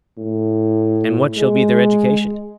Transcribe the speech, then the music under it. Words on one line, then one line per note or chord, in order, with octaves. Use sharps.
And what shall be their education?
A2
G#3